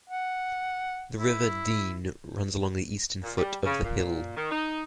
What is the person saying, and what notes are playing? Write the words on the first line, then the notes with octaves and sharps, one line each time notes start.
The River Dean runs along the eastern foot of the hill.
F#5
E4
A#2
G3
C#3
A#2
D#3
D#4